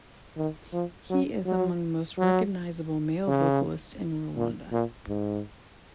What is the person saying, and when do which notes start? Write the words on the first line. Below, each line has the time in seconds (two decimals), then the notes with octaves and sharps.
He is among the most recognizable male vocalists in Rwanda.
0.37 D#3
0.73 F3
1.10 F#3
1.46 F#3
2.18 F#3
3.28 C#3
4.36 A#2
4.72 A#2
5.09 G#2